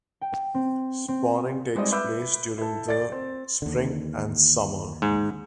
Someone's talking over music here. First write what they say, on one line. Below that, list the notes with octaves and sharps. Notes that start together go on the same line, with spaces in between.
Spawning takes place during the spring and summer.
G5
C4
C4
G3 G#3 C4 D#4 D5 D#5
B4 E5 B5 D6 E6 G6
E4 A4
D5 A6
C4
D#2 D3
G#2